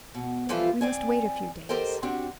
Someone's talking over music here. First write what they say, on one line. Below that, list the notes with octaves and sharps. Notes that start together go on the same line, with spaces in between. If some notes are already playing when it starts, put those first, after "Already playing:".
We must wait a few days.
B2
E3 F3 G3 F4 A4 E5
C4 D5 G#5
G4 A4 A#4 C5 D#5 G5
C4 D4 F#4 G4